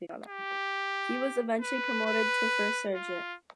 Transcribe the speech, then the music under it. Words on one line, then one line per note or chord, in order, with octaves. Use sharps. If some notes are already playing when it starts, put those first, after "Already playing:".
He was eventually promoted to First Sergeant.
G4
B4
B4
F4